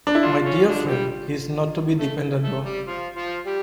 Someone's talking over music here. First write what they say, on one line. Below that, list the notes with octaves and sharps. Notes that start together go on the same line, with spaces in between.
My dear friend, he is not to be depended on.
D4
E4
D3 D4 F4
C#4
D3 D4
G3 G4
A3 A4
A3 A4
G3 G4
F3 F4
F3 F4
G3 G4